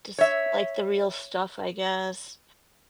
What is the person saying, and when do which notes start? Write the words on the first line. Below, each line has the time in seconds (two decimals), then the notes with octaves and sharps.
just like the real stuff, I guess.
0.18 C#5 E5